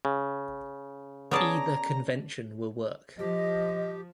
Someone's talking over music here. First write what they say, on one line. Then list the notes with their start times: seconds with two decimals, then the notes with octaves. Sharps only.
Either convention will work.
0.05 C#3
1.31 B3 C#4 G#4 C#5 D5 A5 A#5
3.19 F3 G4 D#5